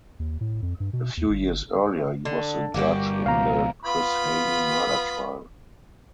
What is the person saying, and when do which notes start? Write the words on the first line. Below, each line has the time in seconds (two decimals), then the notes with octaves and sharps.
A few years earlier he was the judge in the Chris Hani murder trial.
0.19 D#2
0.41 A2
0.62 F2
0.80 G2
0.93 B2
1.17 D#2
1.29 G1
2.25 D3
2.74 G1 G3 A#3 F#4 G4
3.26 C#2 B2 F3 F5 A#5
3.85 B3 F4 B5